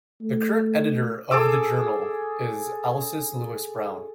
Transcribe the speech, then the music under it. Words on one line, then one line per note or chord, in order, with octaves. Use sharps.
The current editor of the journal is Alscess Lewis-Brown.
A3
G#4 A4 D6 E6